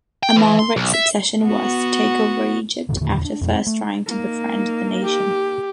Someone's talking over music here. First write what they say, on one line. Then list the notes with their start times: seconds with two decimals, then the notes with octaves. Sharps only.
Amalric's obsession was to take over Egypt, after first trying to befriend the nation.
0.23 G5
0.36 E3
0.59 C6
0.76 B1
0.94 E5
1.44 B3 F#4
2.89 G1 G2 B2 D#3
3.00 E2 A#2 D3 D#3
3.25 D4
3.41 F2 B2 D3 F#3
3.53 C4
3.67 A3
4.06 A#3 D#4
5.03 G4